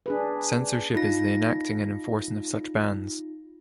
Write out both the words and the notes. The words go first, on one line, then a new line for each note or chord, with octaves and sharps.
Censorship is the enacting and enforcing of such bans.
D4 G#4 B4
D#4 F4 A#6